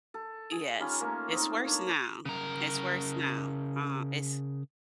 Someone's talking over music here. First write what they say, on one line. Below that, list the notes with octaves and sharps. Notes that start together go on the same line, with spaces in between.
Yes. It's worse now. It's worse now. Uh, it's
A4
G#4
G3 C#4 D#4 F4
A3 A#3 C#4
C4 D#4
D4 C#5
C#3 A#4